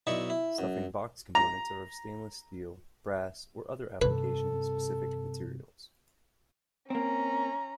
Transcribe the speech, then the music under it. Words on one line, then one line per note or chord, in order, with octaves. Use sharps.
Stuffing box components are of stainless steel, brass or other application-specific materials.
B1 D#4 E4 D5 E5 C#6
E4
F#2
A#5
G2 C3 A4 B4
A#3 C4 C#4 A#5